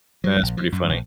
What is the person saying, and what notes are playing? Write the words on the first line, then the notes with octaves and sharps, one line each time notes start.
That's pretty funny.
F#3
A#1
F3
F#2
A#1